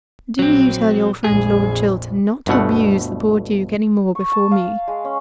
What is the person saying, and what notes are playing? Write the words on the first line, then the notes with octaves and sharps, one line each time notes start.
Do you tell your friend Lord Chiltern not to abuse the poor Duke any more before me.
A#1 F#3 C4
A#1 F2 G#4
G1 D2 B2 A3 F#5
C#6
A5
F5
G#3
C#4